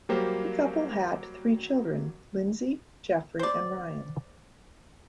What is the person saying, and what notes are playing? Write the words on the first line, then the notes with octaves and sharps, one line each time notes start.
The couple had three children: Lindsey, Jeffrey, and Ryan.
F#3 G3 A#3 G4 C5
C5 D5